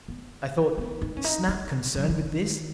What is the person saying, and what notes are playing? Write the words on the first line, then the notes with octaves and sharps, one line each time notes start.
I thought, "Is Snap concerned with this?"
B3
B3
D#4
C#4
D#4
D#4
F#3
E3
F#3
D#3